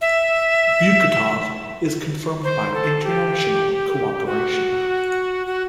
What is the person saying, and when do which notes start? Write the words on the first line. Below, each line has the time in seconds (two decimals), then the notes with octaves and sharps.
Buketov is confirmed by international cooperation.
0.01 E5
2.44 C5
2.74 A4
3.04 G4
4.26 F#4
5.47 F#4